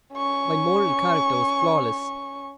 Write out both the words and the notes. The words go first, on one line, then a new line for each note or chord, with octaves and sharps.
My moral character was flawless.
C#4 C#6